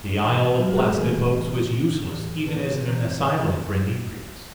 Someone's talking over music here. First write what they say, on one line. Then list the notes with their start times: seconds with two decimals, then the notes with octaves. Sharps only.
The Isle of Blasted Hopes was useless even as an asylum for inebriates.
0.20 C3 E3
0.57 A#2 F#3 F#4
0.66 G3 G4
0.77 G#3 G#4
0.86 A3 A4
0.95 C3 E3 A#3 A#4
1.33 A2 E3
1.71 B2
2.09 A2 E3
2.46 A2 E3 B3 B4
2.85 C3 E3 C4 C5